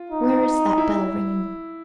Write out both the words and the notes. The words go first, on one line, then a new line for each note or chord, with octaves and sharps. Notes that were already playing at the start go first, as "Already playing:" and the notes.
Where is that bell ringing?
Already playing: F4
D#4
E4